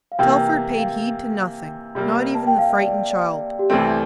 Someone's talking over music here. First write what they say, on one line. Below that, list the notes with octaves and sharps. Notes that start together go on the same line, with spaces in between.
Telford paid heed to nothing, not even the frightened child.
F5
C3 E3 A#3 G5
G5
F5
C3 G3 A#3
A5
G5
F5
E5
D5
D5
G4
C2 C3 E3 A3 C4 A4